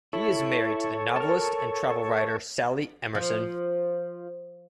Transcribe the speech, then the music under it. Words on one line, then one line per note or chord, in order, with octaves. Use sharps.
He is married to the novelist and travel writer Sally Emerson.
E4 A4 C#5
A#4 A5
F3